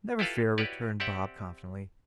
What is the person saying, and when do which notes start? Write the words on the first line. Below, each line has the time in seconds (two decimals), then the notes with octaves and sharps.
"Never fear," returned Bob confidently.
0.19 E4 F4 G4 A4 B4 F5
0.58 E4 F#4 G4 B4 C#5 D5
1.00 C4 G4 D5 E5 F#5